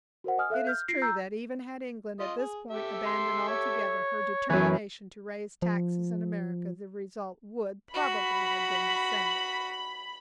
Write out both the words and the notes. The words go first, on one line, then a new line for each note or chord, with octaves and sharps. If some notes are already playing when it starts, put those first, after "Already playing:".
It is true that even had England at this point abandoned altogether her determination to raise taxes in America the result would probably have been the same.
F#4 A#4 C5 F#5
D#5 G#5 D#6 F6
A4 E5 F5 F#6
F6 G6
F4 A#6 C7 D7
A#5 E6 G6
F4 D#5
G#4
G4 A4 E5
C6
C#5
F#2 E3 A3 C#5 G#5
F3
F#4 B5